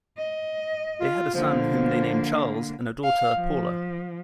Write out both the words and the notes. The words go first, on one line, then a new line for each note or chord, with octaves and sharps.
They had a son whom they named Charles, and a daughter, Paulla.
D#5
F4
D3 F3 A#3
F5
F3